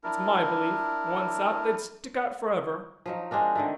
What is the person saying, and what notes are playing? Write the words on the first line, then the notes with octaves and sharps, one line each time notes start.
It's my belief, once out, they'd stick out for ever.
D4 E4 A#4
F3 F#3 D#4
G#3 C4 D4 A#4
D3 D#3 A3